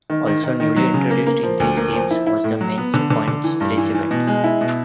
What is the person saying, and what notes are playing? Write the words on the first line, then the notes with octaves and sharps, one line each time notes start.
Also newly introduced in these Games was the men's points race event.
D#3
D#3
D#3
D#3
F#3
C#3
A#3
A#3
F3
D2
A#3
F3
E4
E4
A2
F#3
B3
D3
D3
D3
E3
G2
E3
E3
B2
G#3
E4
B2